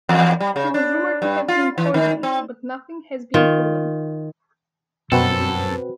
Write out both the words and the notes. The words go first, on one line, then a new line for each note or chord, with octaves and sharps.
He was rumoured to have been poisoned, but nothing has been proven.
E2
G3
C#3
D4
G2
F4
E3
D#3
C4
D#3 F4
F#2 B2 C4 F#4 A4 B4